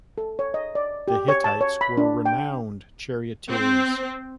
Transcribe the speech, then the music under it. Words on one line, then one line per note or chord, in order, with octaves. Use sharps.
The Hittites were renowned charioteers.
A4
C#5
D#5
D5
G4
C#5
A5
C#5
B5
D4
G5
C4